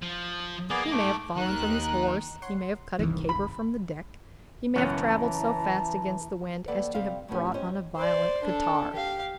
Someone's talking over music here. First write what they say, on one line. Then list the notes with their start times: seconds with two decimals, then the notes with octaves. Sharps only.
He may have fallen from his horse, he may have cut a caper from the deck; he may have traveled so fast against the wind as to have brought on a violent catarrh.
0.02 F3
0.70 A#3 B3 G#4 D5
0.92 G#2 A3 D6
1.37 D#2 D#3 A#5 F#6
2.42 C#5 F#5 C6
2.99 E1 C2 G2 D#3 E3
3.29 B5
4.76 C#2 F#2 B2 E3 C#4 F#5 A5 A#5
6.68 D#2 A4 B4 D5 F#5
6.94 C3 G3 C5 F5
7.28 A2 F3 G3 B3 C#4 G4
7.54 C#4 G4 C5 C#5 D#5
7.96 C5 D5
8.44 D4 A4
8.93 G4 F5